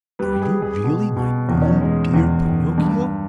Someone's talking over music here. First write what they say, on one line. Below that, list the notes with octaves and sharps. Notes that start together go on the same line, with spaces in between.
"Are you really my own dear Pinocchio?"
G3 B4
G4
G#4
G3
G#4
B2
B2
E2
C#4
D#4
G#3
E2
D#3
G2